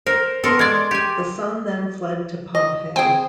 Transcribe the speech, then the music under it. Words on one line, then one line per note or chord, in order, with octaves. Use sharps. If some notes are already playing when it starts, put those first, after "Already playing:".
The son then fled to Pompey.
A#4 C5
B3 A4 A#4 C6
G#3 D5 C6 G#6 A6
G4 G#5
D#5
C4 G#4 G5